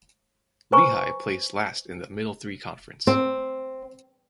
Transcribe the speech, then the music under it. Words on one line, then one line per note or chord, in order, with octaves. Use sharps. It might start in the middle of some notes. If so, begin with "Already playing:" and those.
Lehigh placed last in the Middle Three Conference.
B4 C5 G#5 A#5 C#6
C4